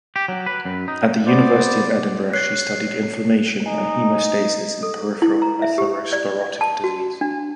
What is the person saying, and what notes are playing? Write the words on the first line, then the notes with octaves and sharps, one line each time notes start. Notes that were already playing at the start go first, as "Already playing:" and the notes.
At the University of Edinburgh she studied inflammation and haemostasis in peripheral atherosclerotic disease.
G4
F#3
B4
F#2
D#4
B3 C5 D5
C#5 F#6 C7
D#4 G#5
A4
E4
A#5
E5
G4
D5
A5
F#4
D4